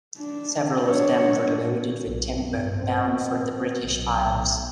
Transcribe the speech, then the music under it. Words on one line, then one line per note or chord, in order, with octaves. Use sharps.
Several of them were loaded with timber bound for the British Isles.
D4
D4 C#5
B1
G2
C4
B1